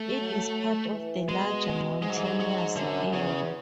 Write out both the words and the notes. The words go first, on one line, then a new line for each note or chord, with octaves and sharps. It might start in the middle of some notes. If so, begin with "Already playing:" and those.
It is part of a larger mountainous area.
Already playing: A3
F#3
E3
B2 G#3
G#2 G#3
F#3
E3
F#3
F#3
F#2 D3
E2 C#3